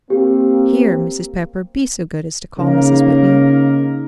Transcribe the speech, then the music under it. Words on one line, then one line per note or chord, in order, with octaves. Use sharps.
"Here, Mrs. Pepper, be so good as to call Mrs. Whitney."
A#3 C4 G4
C#3 A#3 D#4 A#4